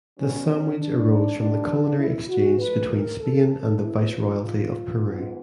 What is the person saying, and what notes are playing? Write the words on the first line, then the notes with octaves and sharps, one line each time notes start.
This sandwich arose from the culinary exchange between Spain and the Viceroyalty of Peru.
B2 G3 B3 C#4
C#4
D4
G2 D#3 G3 D4
E4
F#4
A#2 F3 A3 B4
A#4
A4
A4
B2 G#3 B3 E4
F4
F4
G#2 D#3 G#3 B3